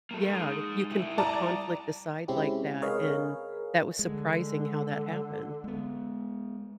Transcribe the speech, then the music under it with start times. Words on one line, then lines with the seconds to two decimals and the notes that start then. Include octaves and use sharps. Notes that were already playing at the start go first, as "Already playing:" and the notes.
yeah, you can put conflict aside like that, and that was surprising how that happened.
0.11 A#3 A4
0.31 G#3 D#4
0.91 G3 E4
1.18 D5 A5 A#5
2.28 C3 G#3 C4 C#4 E4 G4
2.82 G#4 A#4 B4 C#5 D#5 F5
3.99 D3 G#3
5.64 G#3 B3